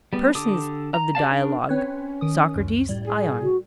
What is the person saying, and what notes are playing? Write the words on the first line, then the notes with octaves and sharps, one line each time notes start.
PERSONS OF THE DIALOGUE: Socrates, Ion.
G3 B3
D3 G4 A4 D6 D#6
A#5
G4 D5 F5 A5
D4 A#4
C4 C#4 B4 C#5
D#3 D#6
C#2 F#2
A2 G3
G#4
F#4